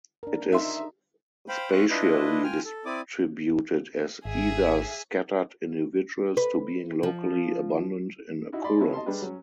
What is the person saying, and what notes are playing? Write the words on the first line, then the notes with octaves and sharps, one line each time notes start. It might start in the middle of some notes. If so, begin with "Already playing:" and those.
It is spatially distributed as either scattered individuals to being locally abundant in occurrence.
D4 A#4
D#4 E5 C6
C5 F5 G5 B5
C4 F5 C#6 F#6
D4 E4 F4 B4 D#5
F4 G5 G#5 F6
A4
C4 E4 D5 D6 D#6
G#1 G#4 E5
B4
F3
D#4 E4 F#4
D5 D#5 B5 C6
B3 C#4 E4 F#4 A4 B4
D#5 A5 C6
G3 G#3 D4 G4 B4
F#3 C#4